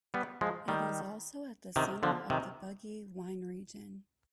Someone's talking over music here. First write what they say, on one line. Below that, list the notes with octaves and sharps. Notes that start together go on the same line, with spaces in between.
It is also at the centre of the Bugey wine region.
G3 B3
F3 G#3
D#3 G3
C3 D#3
D3 F3
C3 D#3